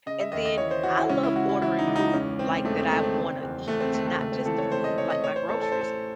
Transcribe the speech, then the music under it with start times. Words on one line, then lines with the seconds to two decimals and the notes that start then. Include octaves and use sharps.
and then I love ordering food like, that I wanna eat, not just the food, like my groceries.
0.06 C#3 D#5
0.20 E5
0.32 D#2 D#5
0.45 D#5
0.58 E3 C#5
0.71 C5
0.83 E3 F#4
0.97 E4
1.09 C#2 C#4
1.23 E4
1.35 C#2 F#4
1.49 E4
1.62 E3 E4
1.79 D#4
1.87 C#2
1.96 D#4
2.13 E1 C#4
2.39 E1 C4
2.65 E1 A3
2.78 C4
2.91 D#3 A3
3.03 C4
3.17 F#1
3.42 E2
3.68 E2 A3
3.80 C4
3.94 D#3 A3
4.07 A3
4.19 C#2 A3
4.32 C4
4.46 E3 A4
4.58 C#5
4.72 C3 C5
4.84 D#5
4.97 C3 C#5
5.10 D#5
5.23 A1 C#5
5.36 C5
5.49 A1 A4
5.62 A4
5.72 A1 C5
5.81 A4